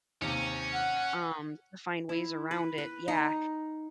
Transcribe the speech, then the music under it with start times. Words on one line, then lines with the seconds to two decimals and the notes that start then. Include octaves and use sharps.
um, to find ways around it. Yeah.
0.22 D#2 C3 C#4
0.73 F#5
2.09 E4
2.51 B4
2.78 B4
3.08 D#4